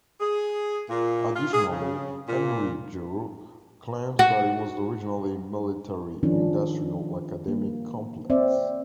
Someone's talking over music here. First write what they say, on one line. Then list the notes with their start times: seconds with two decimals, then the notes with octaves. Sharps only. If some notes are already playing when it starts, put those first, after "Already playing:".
Additionally, Henry Giroux claims that it was originally "military-industrial-academic complex".
0.21 G#4
0.89 A#2
1.34 F4
1.52 G#4
1.70 C#3
2.28 A#2
4.19 F#4
6.23 D#3 F3 C#4 D4
7.48 A#3
8.30 C4 C5 D5 E5